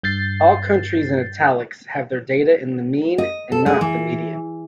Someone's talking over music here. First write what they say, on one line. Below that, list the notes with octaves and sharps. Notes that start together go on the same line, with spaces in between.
All countries in italics have their data in the mean and not the median.
G2 G6 A6 C7
D#5
A4
G#3
E3